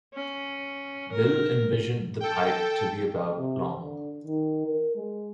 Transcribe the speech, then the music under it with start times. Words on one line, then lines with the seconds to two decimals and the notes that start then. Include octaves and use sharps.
Bill envisioned the pipe to be about long.
0.14 C#4
1.12 A#4
2.20 A4 G5
3.38 C3
3.81 D3
4.24 D#3
4.67 A#4
4.95 G#3